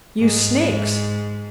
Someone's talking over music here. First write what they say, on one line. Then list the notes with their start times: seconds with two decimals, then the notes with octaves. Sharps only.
You snakes!
0.19 G#2